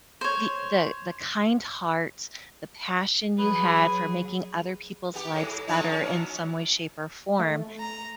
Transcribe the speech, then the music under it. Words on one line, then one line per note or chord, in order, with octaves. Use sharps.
the the the kind heart, the passion you had for making other people's lives better in some way, shape, or form,
C5 C#5
F#3 G#4 B4
B3 G4
G#2
F3 B3 D#4
C#4
A#2
A3
A#5